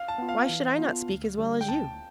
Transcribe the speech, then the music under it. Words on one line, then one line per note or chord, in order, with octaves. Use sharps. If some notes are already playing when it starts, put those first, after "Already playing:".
'Why should I not speak as well as you?
Already playing: F5
A5
B3 F4
F5
E3
B3 F4
D2
D3 G3
G5
D2 A5